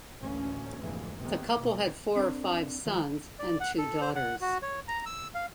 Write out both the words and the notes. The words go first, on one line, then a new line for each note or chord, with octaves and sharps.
The couple had four or five sons and two daughters.
A1 D2 A#3 C#4
F1 D2 G#2 E3 G#3 A#3
F1 D#2 C3 D#3 B3
B2
C4 D4 A4 A#4
D#3 F3 F#3 G#3
D5
F#5
A4
C5
F#5
F#4
C#5
A#5
E6
F5